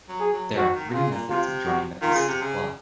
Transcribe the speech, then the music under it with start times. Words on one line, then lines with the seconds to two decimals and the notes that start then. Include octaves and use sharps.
There are three methods of joining the pieces of cloth.
0.09 F#3
0.20 G#4
0.33 F#3
0.57 D#3 F#4
0.75 D#3
0.89 C3
0.93 C#3 F4
1.11 A#2
1.29 C3 F4
1.66 F#4
2.02 D#3 F4
2.15 C#3
2.28 C3
2.41 C#3